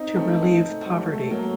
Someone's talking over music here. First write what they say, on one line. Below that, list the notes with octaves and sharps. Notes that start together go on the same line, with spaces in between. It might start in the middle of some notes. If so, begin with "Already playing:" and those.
To relieve poverty.
Already playing: C4 D#4
A3 C4
A3 C4
F#3
A3
A3
F#3 A#3